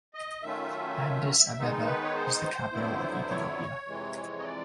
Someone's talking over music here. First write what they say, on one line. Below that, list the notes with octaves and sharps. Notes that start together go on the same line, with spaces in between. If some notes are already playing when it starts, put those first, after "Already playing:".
Addis Abeba is the capital of Ethiopia.
D#5
D#3 F#3 A3 C#4 F4 E5
D#3 G#3 B3 D#4
B4
C#5
C5
F2 D3 F#3 B3 E4
C#5
F2 C3 E3 G#3
D#5
D5